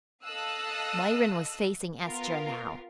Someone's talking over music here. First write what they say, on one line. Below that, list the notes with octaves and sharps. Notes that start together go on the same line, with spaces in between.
Myrin was facing Estra now.
A4 D#5 F5 D#6 E6 F#6
B3 F4 A#4